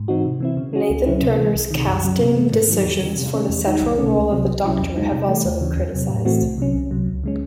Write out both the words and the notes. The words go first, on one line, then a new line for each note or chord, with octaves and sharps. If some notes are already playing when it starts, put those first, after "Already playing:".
Nathan-Turner's casting decisions for the central role of the Doctor have also been criticised.
Already playing: G#2
E3 C4 D#4 F#4
C3
E3 C4 E4
C#3
G#3 C#4 F#4
C#2
C#3 F#3 C#4 E4
C3
E3 G#3
C2
C3 D#3
F#2
C#3 F#3
C3
E3 A3
G#2
D#3 F#3
E2
C#3 E3
C3
D#3 A3 C#4
E2
D#3 G#3 D#4
C2
C3 D#3 A3 C#4
C#2
C3 F#3 C4
C2
C3 F#3 C#4 E4
E2
C#3 G#3 D#4
C3
E3 A3
D#2
C#3 E3
E2
C3 F#3
A2
E3 A3 C4 F#4
C2
C3 F#3 C#4
C2
C3 F#3
C#2
C#3 G#3 C#4